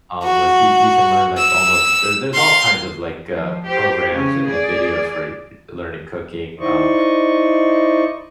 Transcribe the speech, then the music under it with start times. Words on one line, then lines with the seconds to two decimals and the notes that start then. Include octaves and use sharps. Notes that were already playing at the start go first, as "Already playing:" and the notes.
um, like, you you can learn, like, almost there there's all kinds of, like, uh, programs and and videos for y learning cooking, um,
0.23 F#4
1.38 E6
2.34 F5 C6
3.29 F3
3.67 G4 C5
4.11 C#3 C#4
4.47 G#4 D5
6.59 D#4 E4 C5 D5 D#5 C#6